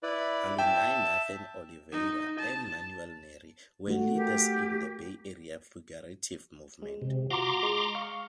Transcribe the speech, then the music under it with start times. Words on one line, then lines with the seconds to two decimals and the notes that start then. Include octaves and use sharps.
Alumni Nathan Oliveira and Manuel Neri were leaders in the Bay Area Figurative Movement.
0.03 E4 B4 D5
0.59 E5 G5 A5
1.92 D#4
2.39 A5
3.88 A3 F#4
4.16 G4 A#4
6.82 G#3
7.02 C3
7.30 F4 F#4 A#5 C6 D6
7.63 G#3
7.95 F5 C#6 F6